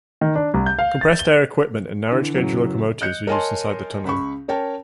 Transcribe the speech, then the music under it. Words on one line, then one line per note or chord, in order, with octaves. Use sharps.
Compressed air equipment and narrow gauge locomotives were used inside the tunnel.
D#3
D4
C2
G6
F5
A6
G7
D3 E3
F#2 C#3 E3 F#3
D#5 F#6 G6 C#7
A#4 C#5 D#5 G#5 A5 C6
C#2 B5 C#6
C#4 A#4 C#5 G5 A5